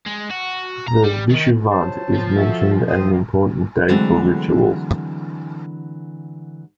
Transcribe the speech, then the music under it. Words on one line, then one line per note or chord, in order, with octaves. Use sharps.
The "vishuvant" is mentioned as an important day for rituals.
G#3
F#4
A#5
G3
D#3
F#3 C5 A5
F3
F#4 A4 E5
C4 C5 D#6
A2
D3 E3 F#3 G#3 A3 C4